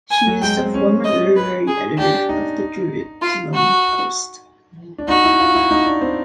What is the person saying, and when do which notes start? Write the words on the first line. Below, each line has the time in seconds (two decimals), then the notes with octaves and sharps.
She is the former literary editor of the Jerusalem Post.
0.11 G#5
0.27 F#3
0.42 G#3 G5
0.57 C4
0.74 C#4
1.04 D#5
1.36 B4
1.67 G#4
1.98 D4 G4
2.29 D#4
3.22 F4
3.54 F#4
4.98 D4
5.08 D#4 F#4
5.24 E4
5.40 F4
5.55 E4
5.71 D#4
5.86 D4
6.01 C4